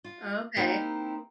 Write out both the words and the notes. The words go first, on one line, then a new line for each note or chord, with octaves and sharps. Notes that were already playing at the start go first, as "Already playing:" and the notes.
Oh, okay.
F4
A#3 C4 D#4 E4 G4 C5